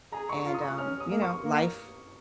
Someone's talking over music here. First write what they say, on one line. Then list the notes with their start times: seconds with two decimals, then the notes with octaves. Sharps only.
And, um, you know, life
0.12 G#4 A#5
0.29 C#6
0.46 F4 A#5
0.54 D#6
0.62 C#6
0.78 C#4 F6
1.00 D#6
1.10 A#3
1.22 C#6
1.43 A#3